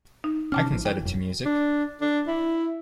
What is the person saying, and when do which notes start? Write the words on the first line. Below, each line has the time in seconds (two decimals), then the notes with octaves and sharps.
I can set it to music.
0.24 D#4
0.52 C3 C#4 A5 D6 F6
0.70 A1 F3
0.85 E3 G5
1.01 E1 F#2
1.45 D4
2.01 D4
2.27 E4